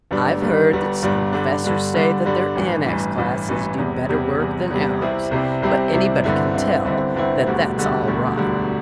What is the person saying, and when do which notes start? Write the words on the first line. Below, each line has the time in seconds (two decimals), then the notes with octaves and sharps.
"I've heard that some professors say that their Annex classes do better work than ours,--but anybody can tell that that's all rot."
0.11 G1 G2 G3 D4
0.41 G1 G2 G3 D4
0.73 G1 G2 G3 D4
1.02 G1 G2 G3 D4
1.33 G2 D3 G3 D4
1.64 G2 D3 G3 D4
1.94 G2 D3 G3 D4
2.25 G2 D3 G3 D4
2.55 A1 G2 E3
2.86 A1 G2 E3
3.17 A1 G2 E3
3.48 A1 G2 E3
3.78 E2 C3 G3
4.09 E2 C3 G3
4.40 E2 C3 G3
4.71 E2 C3 G3
5.01 C2 C3 G3 C4 E4
5.31 C2 C3 G3 C4 E4
5.62 C2 C3 G3 C4 E4
5.93 C2 C3 G3 C4 E4
6.23 G1 G2 D3 C4 E4
6.54 G1 G2 D3 C4 E4
6.84 G1 G2 D3 C4 E4
7.15 G1 G2 D3 C4 E4
7.46 E1 D2 D3 G3
7.76 E1 D2 D3 G3
8.08 E1 D2 D3 G3
8.37 E1 D2 D3 G3